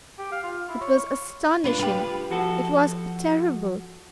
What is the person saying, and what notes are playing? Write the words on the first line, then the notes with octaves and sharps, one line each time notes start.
It was astonishing. It was terrible!
G4
F5
F4
E4
C#5
D4 F4 B4
F4 G4 B4
F3 F#4 A4